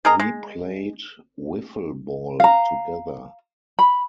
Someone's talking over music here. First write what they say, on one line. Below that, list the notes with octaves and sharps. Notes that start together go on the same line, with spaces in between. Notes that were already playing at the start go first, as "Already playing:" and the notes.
We played Wiffle ball together.
G#4 A#4 D#5 A#5
G#3
F5 A#5
B5